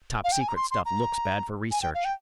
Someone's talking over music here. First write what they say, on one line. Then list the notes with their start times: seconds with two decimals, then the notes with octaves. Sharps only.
The topsecret stuff looks bad for research.
0.24 F5
0.32 G5
0.41 G#5
0.48 A#5
0.56 C6
0.71 C6
0.85 A#5
1.71 G#5
1.82 G5
1.94 F5
2.05 G5